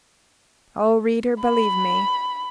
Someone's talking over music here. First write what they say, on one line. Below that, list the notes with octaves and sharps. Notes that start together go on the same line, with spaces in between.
Oh, reader, believe me!
B5